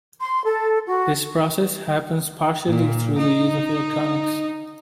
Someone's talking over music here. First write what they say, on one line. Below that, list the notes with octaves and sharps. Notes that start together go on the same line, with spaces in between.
This process happens partially through the use of electronics.
C6
A4
F#4
A#2
D#4